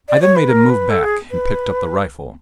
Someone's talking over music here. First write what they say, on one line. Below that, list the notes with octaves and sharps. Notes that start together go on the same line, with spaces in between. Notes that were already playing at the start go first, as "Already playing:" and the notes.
I then made him move back, and picked up the rifle.
D5
C#5
B4
A#4
B4
A4
G#4
B4